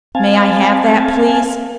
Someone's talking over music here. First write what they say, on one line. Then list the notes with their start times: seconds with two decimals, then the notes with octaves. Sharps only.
"May I have that please?"
0.15 C4 F5 G#5 A5